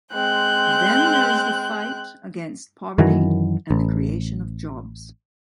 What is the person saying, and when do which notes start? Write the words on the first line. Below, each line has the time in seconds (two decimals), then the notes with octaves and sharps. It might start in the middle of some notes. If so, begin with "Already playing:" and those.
Then there is the fight against poverty and the creation of jobs.
0.13 G#3 C4 F#6 G6
2.98 F#2 D#3 E3 F#3
3.71 A1